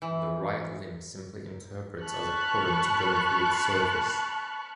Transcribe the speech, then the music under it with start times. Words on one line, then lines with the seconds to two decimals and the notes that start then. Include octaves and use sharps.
The right limb simply interprets as a current going through its surface.
0.02 E3
2.04 A5 B5 C#6 F6 F#6